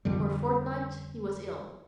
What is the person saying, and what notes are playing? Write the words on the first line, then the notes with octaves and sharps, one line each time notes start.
For a fortnight he was ill.
F2 D3 G3